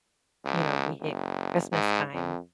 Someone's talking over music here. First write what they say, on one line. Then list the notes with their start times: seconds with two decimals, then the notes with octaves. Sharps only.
you know, we hit Christmastime
0.45 C#2
1.00 F#1
1.72 G#2
2.14 F2